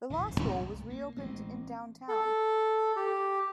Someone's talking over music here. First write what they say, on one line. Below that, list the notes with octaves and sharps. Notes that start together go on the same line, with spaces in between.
The law school was reopened in downtown.
A#1 D#2 D3 E3
D1 G#1 F#2 A2
C2
A#3
A1 E3 G#3 C4
A4
G4